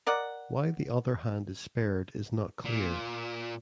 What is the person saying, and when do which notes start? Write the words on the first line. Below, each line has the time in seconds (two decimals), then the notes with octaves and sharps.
Why the other hand is spared is not clear.
0.07 A#4 D5 D#5 F#5
2.65 A#2